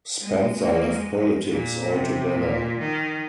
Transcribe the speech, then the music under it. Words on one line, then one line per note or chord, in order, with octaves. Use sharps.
Spencer left politics altogether.
G#3
A#3
G#3
A#2
C3
A#2
D#3